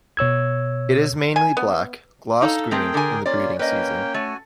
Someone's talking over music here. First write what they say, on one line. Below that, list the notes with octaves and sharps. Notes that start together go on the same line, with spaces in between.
It is mainly black, glossed green, in the breeding season.
B2 C#5 E6 G#6
G#5
B3
D#4 A4 F5
A3 C4 G#4 A#4 G5
D3 A#4 G#5
A#3 C#4 F4 D5
A#3 C#4 B4 D#5 G5
A3 F#4 G#5